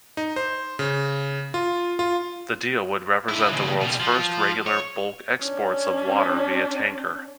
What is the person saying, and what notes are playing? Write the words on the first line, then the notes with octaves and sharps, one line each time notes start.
The deal would represent the world's first regular, bulk exports of water via tanker.
D#4
C5
C#3
F4
F4
D3 E4
D#2 C#3
B2 G3
F3
C#5
C#4 D4